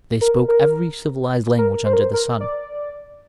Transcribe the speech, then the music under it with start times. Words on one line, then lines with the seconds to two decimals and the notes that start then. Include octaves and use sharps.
They spoke every civilized language under the sun.
0.21 A#4
0.48 A#4
1.58 A#4
1.86 C5
1.93 A#4
2.01 C5
2.14 A#4
2.40 D5